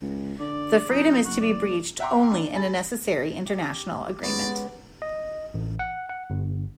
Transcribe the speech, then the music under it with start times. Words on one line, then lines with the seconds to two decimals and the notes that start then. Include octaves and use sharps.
The freedom is to be breached only in a necessary international agreement.
0.02 C#2
0.40 D3 D5
0.90 F2 D#4
1.25 F#1 F#4
1.41 D5
2.00 E5 F#5 G5 A#5 C6 D6
2.32 D4
2.55 G#4 B5 A6
3.46 G4
4.23 G#3 B3 C#4 D5
5.02 D#5
5.54 A1
5.79 F#5
6.09 F#5
6.30 G1